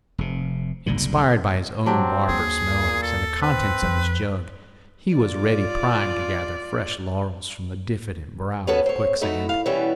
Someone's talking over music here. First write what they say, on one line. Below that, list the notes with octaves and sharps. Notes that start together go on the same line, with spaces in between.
Inspired by his own barbarous melodies and the contents of his jug, he was ready primed to gather fresh laurels from the diffident brow of Quicksand.
F1 C3
F#1 C2 A#2 D3
F#3 C4 D4 G4
D#2 G#4
A#2
A4
C4 B4
F2
F4 D5
B3 C#4 F#4 A4 B4
C4 C#5
A3 D#4 E4 F#4
F5
B2 E3 G3 B3 C#4 E5